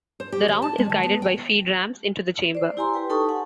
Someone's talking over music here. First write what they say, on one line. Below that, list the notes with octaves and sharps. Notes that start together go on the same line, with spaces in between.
The round is guided by feed ramps into the chamber.
C5
G4
D#2
A5
G#3
D#3
B3
G5
C5 D5
E4 G4 G#5 A#5 C6
G4 B4 G5
D#4 A4 G5 A5 C#6 D#6
F#5 G#5